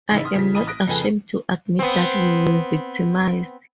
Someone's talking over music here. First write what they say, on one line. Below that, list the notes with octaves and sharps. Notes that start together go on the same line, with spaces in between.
I am not ashamed to admit that we were victimized.
A1 C#3 D#4 E4 B6
C6 D#6 F6
C#3 F3 B6
A1 B5 D#6 D#7
D#6 F#6 A#6 D7
F2 C#3 A4 B4 G#5
B3 C4